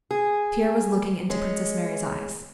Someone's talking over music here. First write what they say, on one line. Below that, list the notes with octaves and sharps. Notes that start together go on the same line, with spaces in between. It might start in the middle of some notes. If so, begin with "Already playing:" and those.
Pierre was looking into Princess Mary's eyes.
G#4
G#3 C#4